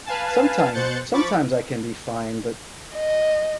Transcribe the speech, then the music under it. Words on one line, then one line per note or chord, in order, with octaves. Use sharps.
Sometime sometimes I can be fine but,
B4 F5 G#5 A5
B2 C5 F#6 G6 A6 C#7
F3 B5 C#6 D6 A6
D#5